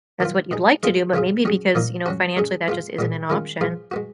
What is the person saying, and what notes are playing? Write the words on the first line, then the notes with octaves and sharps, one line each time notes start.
that's what you'd like to do, but maybe because, you know, financially, that just isn't an option.
D#3 F#3 B3 F4
B2 G#3 D#4 G#4
G#3 B3 F4 G#4
C#3 F3 B3 F4 G#4
F#3 C#4 G#4
A#2 F3 A#3 D#4
F#3 C#4 F#4
G#3 C#4 G#4
G#3 B3 F4
A#2 G#3 B3
D#3 G#3 C#4 F4
F3 B3 F4 G#4
G#3 B3 F#4